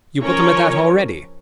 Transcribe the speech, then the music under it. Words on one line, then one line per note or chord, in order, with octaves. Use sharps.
You put them at that already?...
F3 C#4 A#4 C#5